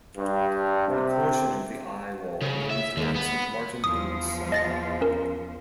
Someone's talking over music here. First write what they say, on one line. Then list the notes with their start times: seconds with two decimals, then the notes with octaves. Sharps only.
A portion of the eyewall moved over Saint Martin and Saba.
0.17 G2
0.89 C3
2.41 C#3
2.70 E5
2.97 D#2
3.16 B3
3.84 E2 F3 D#6
4.52 D#5 A6 A#6
5.01 C#4 A#4